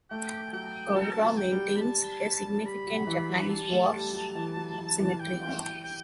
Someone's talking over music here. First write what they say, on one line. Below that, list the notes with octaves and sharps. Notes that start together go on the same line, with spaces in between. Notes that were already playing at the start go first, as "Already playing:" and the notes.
Cowra maintains a significant Japanese war cemetery.
A3 G5
F#3 G5
F#3 A5
G5
A5
F#3
G5
G3
B5
A5
A5
G3 B5
F#3
E3
F#3
G3 A5
A3
G3
F#3
E3
F#3
F#3
E3
E3
G5